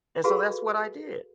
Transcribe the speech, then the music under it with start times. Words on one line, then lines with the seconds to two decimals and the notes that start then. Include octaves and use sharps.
and so that's what I did,
0.24 F4 F#4 G#4 A4 B4 F5